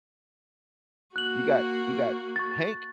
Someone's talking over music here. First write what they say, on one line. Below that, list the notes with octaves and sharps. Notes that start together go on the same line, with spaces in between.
you got you got Hank
A#3 F#4 F#6 F#7
C#6 A6